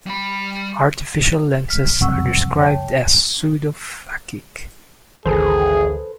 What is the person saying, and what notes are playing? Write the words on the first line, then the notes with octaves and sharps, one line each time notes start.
Artificial lenses are described as pseudophakic.
G3 B5
F6 B6
F#1 C2 F2 F#5 C#6 E6
C#5 G5 A5
G#1 D2 D3 E3 G#4 A4 B4 C5